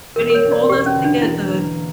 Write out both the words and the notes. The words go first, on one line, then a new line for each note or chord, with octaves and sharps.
but he told us to get the
E1 A#4
A#4
C#5
E1
D5
E1 G4
C#4
D3
D4
E3 E4
A#3